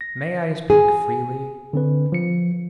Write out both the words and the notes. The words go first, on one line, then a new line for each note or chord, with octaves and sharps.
May I speak freely?
A#6
G#4
D3 C4 B4
F3 C#7